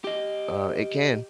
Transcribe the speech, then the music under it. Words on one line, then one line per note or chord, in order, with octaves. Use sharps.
Uh, it can.
G4 D#5